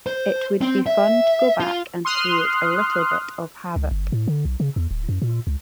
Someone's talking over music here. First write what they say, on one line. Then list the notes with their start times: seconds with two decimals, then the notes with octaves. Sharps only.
It would be fun to go back and create a little bit of havoc!
0.07 C5
0.61 C4
0.86 E5
1.60 F4
2.05 C6 D#6 F6 F#6
3.76 C#2
3.91 G1
4.12 A2
4.28 D3
4.45 B1
4.60 C#3
4.76 E2
4.91 D1
5.09 F#2
5.22 A#2
5.47 C#2